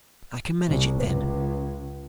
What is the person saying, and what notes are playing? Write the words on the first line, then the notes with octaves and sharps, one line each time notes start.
I can manage it then.
C2
C#2